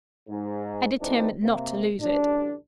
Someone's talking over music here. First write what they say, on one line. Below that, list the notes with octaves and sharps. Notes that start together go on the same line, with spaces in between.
I determined not to lose it.
G#2
G#1 D2 E3 C4 D4 D#4
C3 A#3
A1 D2 G3 D4